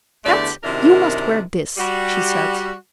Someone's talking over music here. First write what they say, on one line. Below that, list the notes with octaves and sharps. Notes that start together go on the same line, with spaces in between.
"Kat, you must wear this," she said.
E2 D3 A3 G4 D5
F#2 C3 D#3 D4 E4 A#4
G3 F#4